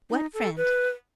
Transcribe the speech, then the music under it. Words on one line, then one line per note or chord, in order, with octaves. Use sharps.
"What friend?"
D#4
A4
B4